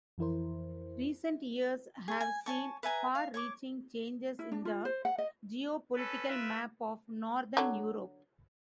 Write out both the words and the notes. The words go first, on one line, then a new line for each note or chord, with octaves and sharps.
Recent years have seen far-reaching changes in the geopolitical map of northern Europe.
F2 E3 E4 A#4 C5
G#4 C6
G#5
C#5 G#5 A5 C#6
B4 E5 G#5 A#5
F5
C#5 C#6 D6
E4
D4
F4
C5
F#5
D#5
C#4 A4 B4
F4 A#4 B4 E5
D3 F#3